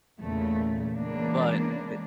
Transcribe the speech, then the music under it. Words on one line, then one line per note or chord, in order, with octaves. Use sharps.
but but
E2 A#2 C#3 A3
C#3 E3 G#3 A#3 B3 D4